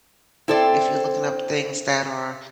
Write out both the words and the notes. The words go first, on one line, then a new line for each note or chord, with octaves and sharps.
if you're looking up things that are
C4 E4 A4 C5 D5